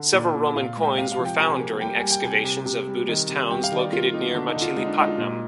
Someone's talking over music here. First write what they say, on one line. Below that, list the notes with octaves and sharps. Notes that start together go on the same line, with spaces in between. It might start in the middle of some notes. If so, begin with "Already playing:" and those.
Several Roman coins were found during excavations of Buddhist towns located near Machilipatnam.
Already playing: D3
A#2 D5
A#2
A#2 F5
G#3
G5
C3 F5
F5
F3
G5
C3 G#5
A#3
G3 G5
G#5
G3
G5
C3 G#5
C3
C3
G3
D#3
C3
G3 G5
F5
D#3
D5
A#3 F4
A#3 D#4
D#4
D3 D4
D#4
D3
F4
G#3 D#4
D4
G#3 D#4
F4
A#2 D#4